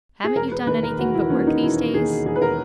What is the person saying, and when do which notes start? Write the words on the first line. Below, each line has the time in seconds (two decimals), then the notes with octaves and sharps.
'Haven't you done anything but work these days?'
0.24 G#4
0.35 E1 A#4
0.52 B4
0.67 D#2 D#3 B4
0.83 A#4
0.99 E1 F#4
1.14 E4
1.30 D#2 D#3 C#4
1.47 D#4
1.63 E1 E4
1.93 D#2 D#3 G#4
2.25 E1 G#4
2.36 B4
2.42 A#4